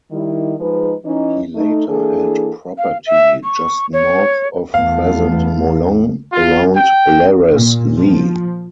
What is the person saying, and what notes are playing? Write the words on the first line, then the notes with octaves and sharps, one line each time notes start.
He later held property just north of present Molong, around Larras Lee.
D#3 G3 E4
F3 G#3 D#4 G#4 B4
E3 C#4 D#4
A3 D#4
E3 A#3 D4 E4 G#4 A4
F5
E5
C#6
C#5
E2 A3 B3 F5
F4
G5
A#2
F3